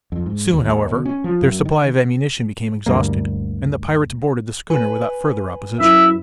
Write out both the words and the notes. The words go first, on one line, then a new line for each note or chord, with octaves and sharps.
Soon, however, their supply of ammunition became exhausted, and the pirates boarded the schooner without further opposition.
F2
G#2
D#2
D#2
B2
C#4
F3
F#2
D#3
D2 G2 G3 A#3
B4 G#5
F#2 E4 E5